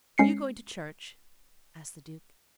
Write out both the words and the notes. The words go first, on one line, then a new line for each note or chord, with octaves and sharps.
"Are you going to church?" asked the Duke.
G#3 C#4 C7 C#7